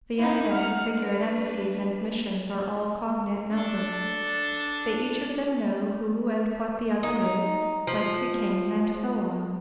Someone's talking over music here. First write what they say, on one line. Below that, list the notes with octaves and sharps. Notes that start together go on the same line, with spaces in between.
The young men who figure at embassies and missions are all "cognate numbers." They each of them know who and what the other is, whence he came, and so on.
D#4 E4
F#5 F6
D4 B4
D4 A4
D#4
F3